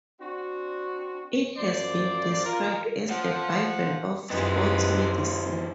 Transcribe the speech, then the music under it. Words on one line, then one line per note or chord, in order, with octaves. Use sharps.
It has been described as the Bible of Sports Medicine.
C4 D4 F#4
F#2 F3 C5 D5
F4 A#4
F3 F#5
F#2 C3 D#3 F3 G#3 B4